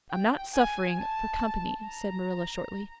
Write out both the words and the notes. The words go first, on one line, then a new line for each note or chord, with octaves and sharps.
"I'm not suffering for company," said Marilla shortly.
G5
G#5
A5
A#5